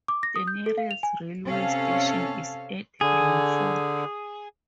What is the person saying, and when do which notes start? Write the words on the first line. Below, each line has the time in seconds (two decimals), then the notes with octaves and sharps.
The nearest railway station is at Romford.
0.08 D6
0.23 A#6
0.36 D#6
0.47 G6
0.66 A4
0.78 F5
0.91 F7
1.03 G#5
1.46 C3 C#4 A4 C#5 F5
3.01 D3 G#4